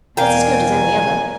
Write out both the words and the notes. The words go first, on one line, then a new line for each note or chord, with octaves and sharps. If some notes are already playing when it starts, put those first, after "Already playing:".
"It is as good as any other."
E2 B2 A#4 D5 F5 G5 G#5